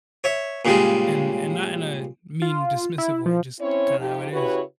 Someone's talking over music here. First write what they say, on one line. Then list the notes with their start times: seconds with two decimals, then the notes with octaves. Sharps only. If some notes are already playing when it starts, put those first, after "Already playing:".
And and not in a mean, dismissive way, just kinda how it is.
0.24 C#5 E5
0.65 A#2 C#3 G3 G#3
2.42 F4
2.98 E4
3.26 F3
3.60 C4 C#4 E4 C#5
3.99 F2 F3 D#4 G4
4.31 C#3 E4 F#4 G4 B4 C#5